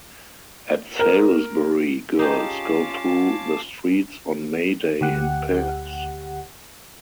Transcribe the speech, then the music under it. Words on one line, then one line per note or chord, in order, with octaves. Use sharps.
At Salisbury girls go through the streets on May Day in pairs.
A#4
C#4 D#4 F4 G4 G#4 F5 A5 D6
D2 G4 F#5